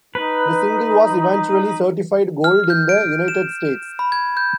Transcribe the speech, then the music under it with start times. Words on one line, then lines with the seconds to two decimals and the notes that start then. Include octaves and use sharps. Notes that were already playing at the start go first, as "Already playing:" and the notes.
The single was eventually certified gold in the United States.
0.15 D#4 B4
2.44 F6
2.70 G6
2.89 D7
3.28 E7
3.99 B5
4.12 G#6
4.37 G6